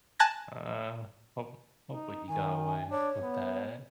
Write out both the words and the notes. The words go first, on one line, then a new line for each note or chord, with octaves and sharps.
Uh, hope hopefully he got away with that
G#5 A5 F#6 G#6 A#6
D#4
D#3 G#5
D4 C#5
B3